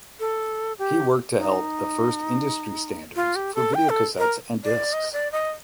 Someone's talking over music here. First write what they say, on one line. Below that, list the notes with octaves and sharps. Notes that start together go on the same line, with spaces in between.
He worked to help the first industry standards for videocassettes and discs.
A4
G4
D#4
F4
G4
A4
G5
A4
A#4
D5
D#5
D5
D#5